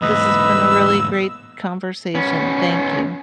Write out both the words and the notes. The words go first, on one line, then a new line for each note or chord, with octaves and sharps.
This's been a really great conversation, thank you.
E2 G#2 B4 D#5 B5 E6
B3 C#4